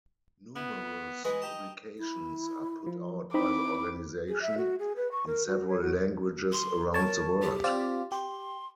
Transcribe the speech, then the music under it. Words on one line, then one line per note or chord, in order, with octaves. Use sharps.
Numerous publications are put out by the organisation, in several languages around the world.
B3 E4
E3 G#3 B4 D#5
D#4 G4 A5
E4
F3
C4 D#4 E4 B5 D6
G#4
E5
F#4
G#4
B4
C#6
A#4
F#4
C#5
F#4
C6
A#4 C#5 A5
G4
C4 F4 D5
G4 C6